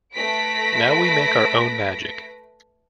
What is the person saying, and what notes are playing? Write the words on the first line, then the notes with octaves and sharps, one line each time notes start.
Now we make our own magic.
A3 B4 A#6 B6 D7